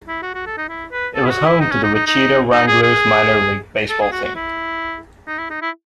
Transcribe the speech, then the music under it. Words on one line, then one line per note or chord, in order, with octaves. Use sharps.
It was home to the Wichita Wranglers minor league baseball team.
E4
F#4
F#4
A4
D#4
E4
B4
A4
E4
F#4
E4
D#4
C#4
D#4
D#4
D#4
D#4
G#4
G#4
A4
G#4
F#4
F#4
E4
D#4
E4
D#4
E4